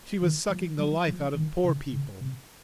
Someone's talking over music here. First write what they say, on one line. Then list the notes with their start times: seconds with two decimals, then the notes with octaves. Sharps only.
She was sucking the life out of poor people.
0.22 D#3
0.50 F3
0.79 F#3
1.08 F3
1.35 D#3
1.64 C#3
1.92 C#3
2.21 C3